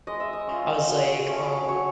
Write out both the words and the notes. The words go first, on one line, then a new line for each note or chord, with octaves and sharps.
I was, like, um,
G#3 D#5
E5
D#5
C#4 F4
F#3
A3 C#4
F#3 C#5